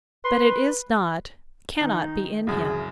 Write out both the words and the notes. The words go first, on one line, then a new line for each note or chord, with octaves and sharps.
But it is not, cannot be in him.
B4 C6
D#3 D#4
C2 F#2 C#3 G#4